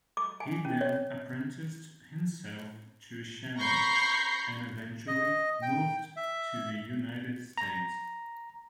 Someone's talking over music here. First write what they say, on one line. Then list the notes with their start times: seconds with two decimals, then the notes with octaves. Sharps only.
He then apprenticed himself to a shaman, and eventually moved to the United States.
0.17 D6
0.40 G#5
0.65 C#4
0.81 C#5
3.59 A#5 B5 C#6 G6 A#6 C7
5.08 D#5
5.62 G5
6.17 E5
7.58 A#5